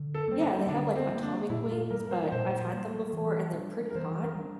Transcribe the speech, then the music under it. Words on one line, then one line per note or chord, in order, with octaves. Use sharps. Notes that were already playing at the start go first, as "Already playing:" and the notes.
yeah, they have, like, atomic wings, but I've had them before and they're pretty hot.
Already playing: D3
A4
G3 A#3 C4
D4
D3 D4
C4
G3 A#3
D4
A#2 E4
F4
G3 A#3 A#4
A#4
C5
A#2 C5
G3 A#3
E3
G3 D4
A#4
E3 C5
A#4
G3 D4